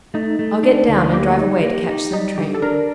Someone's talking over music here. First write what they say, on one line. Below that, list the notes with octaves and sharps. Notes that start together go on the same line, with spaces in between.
I'll get down and drive away to catch some train.
A3 D#4
A3
D4
D2
A#3 G4
D#4
A#3
D#4
G3 D#4
D3 G4
A4
D4 A#4